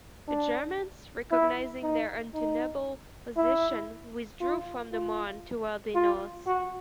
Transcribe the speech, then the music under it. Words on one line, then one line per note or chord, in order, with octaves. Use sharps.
The Germans, recognising their untenable position, withdrew from the Marne towards the north.
D4
E4
D#4
D#4
E4
F4
F4
F4
F#4